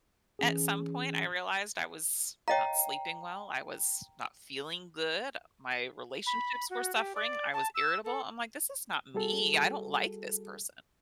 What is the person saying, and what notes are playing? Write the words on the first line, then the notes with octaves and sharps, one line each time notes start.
at some point I realized I was not sleeping well, I was not feeling good, My relationships were suffering. I was irritable. I'm like, "This is not me, I don't like this person."
E3 C#4 G#4
C#5 D#5 F5 G5 A#5
B5
F#4
G4
D5
A5
E6
A4
G3 F#4 G#4 A4